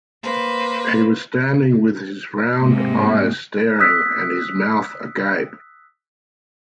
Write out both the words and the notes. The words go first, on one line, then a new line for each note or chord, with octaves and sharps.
He was standing with his round eyes staring and his mouth agape.
A#3 B4 C5
G#2 C3 G#3 A#3
D#6 E6 F#6 B6